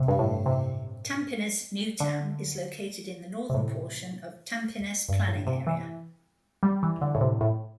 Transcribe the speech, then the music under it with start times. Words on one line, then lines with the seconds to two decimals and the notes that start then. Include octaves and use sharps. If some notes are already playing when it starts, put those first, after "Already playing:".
Tampines New Town is located in the northern portion of Tampines planning area.
Already playing: C3
0.08 G2
0.19 A2
0.46 C3
2.00 D3
3.50 C3
3.54 A2
5.09 G2
5.28 A2
5.47 C3
5.67 E3
6.63 G3
6.83 E3
7.01 D3
7.15 A2
7.21 C3
7.41 A2